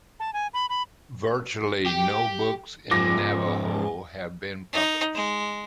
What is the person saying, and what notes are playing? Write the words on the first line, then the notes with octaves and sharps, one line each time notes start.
Virtually no books in Navajo had been published.
A5
G#5
B5
B5
G4
G#2 F3 D6 A#6
D#4
G#3